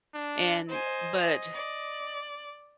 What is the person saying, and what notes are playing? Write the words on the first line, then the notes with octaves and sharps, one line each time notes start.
and but
D4
C5 D#5 G#5
D5